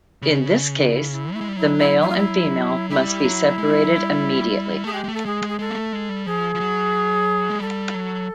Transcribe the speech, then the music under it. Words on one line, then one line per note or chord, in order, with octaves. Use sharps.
In this case, the male and female must be separated immediately.
C#3
E4
E4
A3 E4
G#3
G3
F#3 E4
E4
E4
F4
E4
G3 E4
F#3
G#3
G3
F#3
G3
A3 G#4
G#3 G4
G#3
A3
A4
G#3 G#4
G#3
G#4
G#3 A4
A#3
A3
G#3
G3
F3 G#4
F3
F#3
G#3
G3 A4
F#3